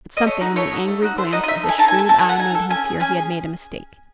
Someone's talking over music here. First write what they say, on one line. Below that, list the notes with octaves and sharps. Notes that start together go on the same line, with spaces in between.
But something in the angry glance of the shrewd eye made him fear he had made a mistake.
D#5
A3 C#5
D#4 F#4
A3 C#5
D#4 F#4
A3
D#4 F#4
A3 C5
D#4 F#4 D#5
D#5
D#4 E5
A4
G#5
D#4 A5
G#5
A4
A5
D#4 A5
G#5
A4
F#5
D#4 G#5
A4
C#4 G#5
G#4
C#4 G#5
G#4